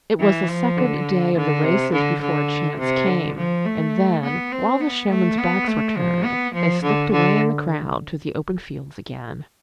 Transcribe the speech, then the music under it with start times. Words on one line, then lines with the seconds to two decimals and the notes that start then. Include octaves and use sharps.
It was the second day of the races before a chance came, and then, while the showmen's backs were turned, they slipped away in the crowd to the open fields again.
0.20 E3
0.48 F3
0.77 D3
1.35 D3
1.64 C3
1.93 D3
2.21 D3
2.79 C3
3.08 D3
3.37 F3
3.66 A3
4.23 B3
4.52 C4
4.81 B3
5.10 A3
5.39 B3
5.68 A3
5.97 F3
6.24 B3
6.54 F3
6.83 D3
7.12 D3